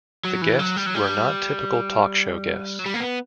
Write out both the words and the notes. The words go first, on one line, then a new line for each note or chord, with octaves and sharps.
The guests were not typical talk show guests.
F#3
E3
F#3
G3
F#3
G3
F#3
G3
A#3
B3